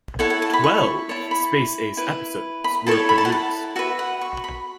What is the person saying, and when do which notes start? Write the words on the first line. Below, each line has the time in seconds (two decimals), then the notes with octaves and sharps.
Twelve "Space Ace" episodes were produced.
0.19 E4 A4 C#5 F#5
0.30 F#5
0.42 A5
0.53 B5
0.64 C#6
1.09 E4 C#5 A5
1.31 B5
1.97 E4 B4
2.64 B5
2.86 E4 A4 C#5 A5
3.09 B5
3.18 A5
3.25 F#5
3.32 A5
3.76 F#4 B4 E5
3.99 F#5
4.21 C#6
4.44 B5